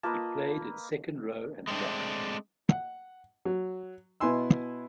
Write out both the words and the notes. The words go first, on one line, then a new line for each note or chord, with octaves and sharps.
He played at second-row and lock.
A#3 F4 B4 D#5 A5
G#3 A3 C4 D4
F#5
F#3
B2 B3 E4 G#5 C6 E6